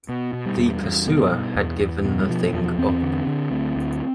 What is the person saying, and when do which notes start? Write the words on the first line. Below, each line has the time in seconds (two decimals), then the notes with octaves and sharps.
The pursuer had given the thing up.
0.09 B2
0.33 B2
0.46 G3
0.58 E2
0.82 E2
1.07 B2
1.31 B2
1.56 E2
1.80 E2
2.05 B2
2.19 G3
2.29 B2 F3
2.53 E2 F3
2.78 E2 C4
3.03 D3
3.27 D3
3.52 D2
3.76 D2